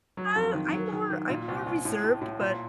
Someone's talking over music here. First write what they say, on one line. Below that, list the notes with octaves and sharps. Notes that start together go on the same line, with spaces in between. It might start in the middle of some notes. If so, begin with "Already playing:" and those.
Uh, I'm more I'm more reserved, but
F#3
F2
D#3
F#3
D#3
D#3
A#2
C2
C2
A2
A2
A2
A#2